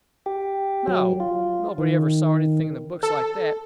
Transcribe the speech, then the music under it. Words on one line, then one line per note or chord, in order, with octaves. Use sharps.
No; nobody ever saw anything in the books like that.
G4
F#3
F4
D#3
A4